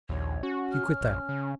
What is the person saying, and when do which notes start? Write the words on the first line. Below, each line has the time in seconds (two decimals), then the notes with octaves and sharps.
"You quit that!"
0.09 A#1 D#2 C#5
0.43 C#4 F#4
0.71 F6
1.01 A#1
1.29 C#3